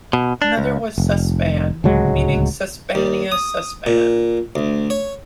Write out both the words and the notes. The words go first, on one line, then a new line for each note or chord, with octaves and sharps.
Another was "Sesban" meaning "Sesbania sesban".
B2
D4
C#2
F1
D1 C#2 F#3 G#3
D#2
D#6
A#2
D2
C#5